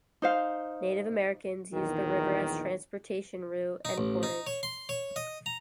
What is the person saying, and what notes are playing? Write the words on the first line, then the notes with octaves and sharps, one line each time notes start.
Native Americans used the river as transportation route and portage.
D#4 C5 F5
A#1 E2 D#3
D#4
A1
D#4
C#5
C6
C#5
D#5
A#5